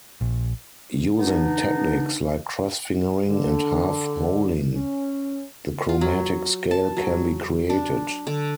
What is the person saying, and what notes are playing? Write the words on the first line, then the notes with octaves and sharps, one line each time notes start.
Using techniques like cross-fingering and half-holing, the chromatic scale can be created.
A#1
B3 D4 D#4
D3
C#4
F4
F#3
A5
F#3
D4
D3